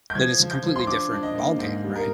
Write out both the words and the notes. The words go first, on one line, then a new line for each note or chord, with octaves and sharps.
That is a completely different ballgame, right?
G6
F3 G#6
F3
G6
F3
C6
D4 D6
D4
D#5
A#3
G#2 D#5
G3
A#4